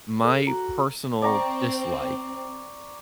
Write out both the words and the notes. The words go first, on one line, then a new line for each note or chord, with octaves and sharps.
My personal dislike
A4
F#4 A#5
C4 D5 A#5 C#6